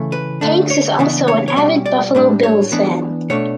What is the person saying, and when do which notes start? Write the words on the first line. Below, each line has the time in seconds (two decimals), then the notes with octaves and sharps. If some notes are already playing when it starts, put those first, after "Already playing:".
Hanks is also an avid Buffalo Bills fan.
Already playing: C#3 E3 A3
0.12 B4
0.41 D3 A3 D4
0.70 C#5
0.99 C#3 E3 B3 D4
1.28 C#5
1.48 C#5
1.56 B2 G3 C#4 D5
1.86 D5
2.15 A2 G3 D4
2.43 C#5
2.72 E3 B3 D4
3.30 B2 A3 D4 C#5